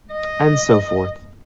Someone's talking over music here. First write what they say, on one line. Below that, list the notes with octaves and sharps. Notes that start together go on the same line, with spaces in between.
And so forth.
D#5